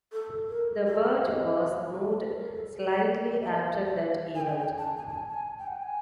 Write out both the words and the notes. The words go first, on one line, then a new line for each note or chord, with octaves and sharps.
The barge was moved slightly after that event.
A4
A#4
A4
G#4
A4
D#5
A4
A#4
A4
G#4
C#5
D5
E5
D#5
E5
F5
G#5
G5
G#5
G5
A5
G#5
A5
G#5
A5
G#5
G5
F#5
G5
G#5